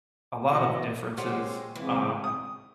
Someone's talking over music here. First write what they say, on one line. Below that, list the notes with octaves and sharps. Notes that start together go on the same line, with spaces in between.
a lot of differences, um,
B2 E3 B3 E4 D#5
G#3 C4 C#4 F4 G4 F#5
C#3 E3 G#3 C4
D#6